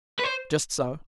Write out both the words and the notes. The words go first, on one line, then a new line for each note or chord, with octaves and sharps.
"Just so."
B4
C5